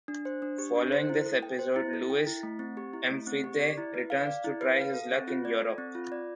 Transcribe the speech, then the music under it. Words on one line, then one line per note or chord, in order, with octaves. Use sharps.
Following this episode, Louis M'Fédé returns to try his luck in Europe.
D4
C5
D4
G4
D4
C5
E4
A4
G5
C5
E4
A4
G5
E4
A3
C4
G4
E4
A3
C4
G4
D5
E4
B4
F5
D5
E4
B4
F5
A4
C4
F4
D5
A4
C4
F4
D5